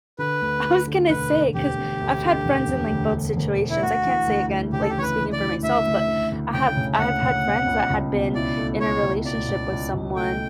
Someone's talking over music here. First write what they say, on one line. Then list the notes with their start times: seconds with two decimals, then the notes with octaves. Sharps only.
I was gonna say, 'cause I've had friends in, like, both situations, I can't say again, like, speaking for myself, but I have I have had friends that had been in a relationship with someone
0.18 D3 B4
0.42 D2
0.65 D3
0.87 D3
1.09 E1 B4
1.32 D3
1.55 E1 G4
1.78 E1
2.01 D2
2.23 D3
2.46 E1
2.69 E1
2.91 D2
3.14 D3
3.37 E1
3.59 D2
3.70 E4
3.82 D2 F#4
4.05 E3
4.27 D2
4.49 D2
4.73 C#3 G4
4.81 A4
4.90 G4
4.96 E3 C#5
5.02 B4
5.17 E3
5.33 D5
5.40 E3
5.63 D2 E5
5.86 D2
6.08 D2
6.32 D2
6.54 C#3 G5
6.77 C#3
6.94 E5
6.98 D2 F#5
7.22 C#3
7.45 B2
7.66 C#2
7.90 C#2
8.12 B2
8.34 E4 D5
8.57 A3
8.80 A3 C#5
9.03 C#2
9.25 B2 D5
9.48 C#2
9.72 C#2
9.94 C#2
10.16 A3 G5